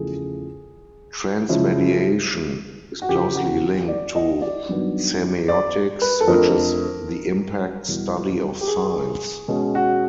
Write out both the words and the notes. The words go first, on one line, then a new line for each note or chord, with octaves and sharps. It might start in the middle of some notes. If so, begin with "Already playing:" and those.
Transmediation is closely linked to semiotics, which is the impact study of signs.
Already playing: E2 C#3 F3 A3 G#4
C#3 F3 G#3 C#4 E4
F#4
F2 C#3 E3 G4
F#4
D5
D#5
D5
G2 D#3 F#3 B3
D5
B4
A4
F2 D3 F3 A3 C4 A#4
E2 B2 G3
G4
G#4
B2 G#3 C#4
F#4